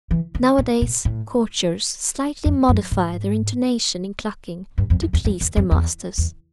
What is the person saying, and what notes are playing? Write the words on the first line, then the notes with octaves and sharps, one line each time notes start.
Nowadays, courtiers slightly modify their intonation in clucking to please their masters.
E3
D#3
A2
A#2
A2
F2
F#2
G#2
G2
F2
F2
E2
F2
E2
F2
E2
E2